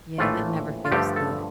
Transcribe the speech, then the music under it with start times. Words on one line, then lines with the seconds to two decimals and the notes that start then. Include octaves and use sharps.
Yeah, that never feels good.
0.18 A#1 A2 E3 A3 F4
0.85 F4
0.92 G2 D3 F3 A3 G4
1.16 A4